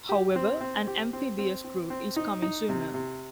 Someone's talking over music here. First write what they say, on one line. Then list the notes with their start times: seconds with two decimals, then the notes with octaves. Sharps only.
However, an amphibious group is coming sooner.
0.09 G4
0.35 C4
0.61 C4
0.87 G4
1.13 C4
1.38 C4
1.64 C4
1.90 C4
2.16 D#4
2.42 D#4
2.69 C3
2.94 C3